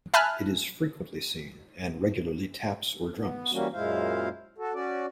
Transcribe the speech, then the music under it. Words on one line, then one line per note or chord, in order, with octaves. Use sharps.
It is frequently seen, and regularly taps or drums.
E5 G#5 A5 B5 F6 F#6
B3
E3 G3 A#3 C#4 F#4
F#2 A#2 G#3 E4 C5 F5
F#4 A4
C#4 F#4 D5